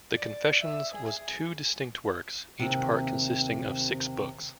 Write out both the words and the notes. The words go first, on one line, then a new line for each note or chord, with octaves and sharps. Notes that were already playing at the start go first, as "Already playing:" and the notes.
The "Confessions" was two distinct works, each part consisting of six books.
D5
E5
G#4
D#2 C3